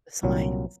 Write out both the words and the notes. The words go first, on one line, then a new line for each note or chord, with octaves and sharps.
The signs.
C2 A#2 F#3